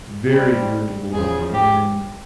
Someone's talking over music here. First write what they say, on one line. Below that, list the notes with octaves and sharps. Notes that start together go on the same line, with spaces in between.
very irritable, and,
B2 G3 C4
E2 C#3 F3 G#4
G4